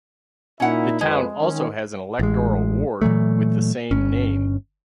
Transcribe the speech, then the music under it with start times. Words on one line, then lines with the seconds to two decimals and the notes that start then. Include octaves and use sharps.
The town also has an electoral ward with the same name.
0.60 A#2 C#4 D#4 E4 F#5
1.01 F2 G#3 B4
1.39 D#3 C#4
2.19 A1 G#3
3.02 A#2 E3 F#3 A3
3.91 G1 C#4